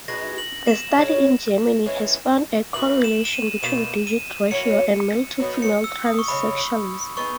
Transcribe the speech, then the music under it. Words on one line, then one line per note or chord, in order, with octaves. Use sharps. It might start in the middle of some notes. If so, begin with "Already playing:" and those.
A study in Germany has found a correlation between digit ratio and male-to-female transsexualism.
G#3 B3 F#4 A#6
F#7
E7
C#3 G#3 C#4
E3 G#3 C#4
E3 A#3 D#4 F#4 F#7
E7
E7
D#7
B2 A#3 D#4 E7
D#7
F#3 A#3 C#4 E4 C#7
F#3 B3 D#4
C#7
E6
D#6
C#6
C#3 E3 G#3 B5
B3 D#4 G#4 D#5 C#6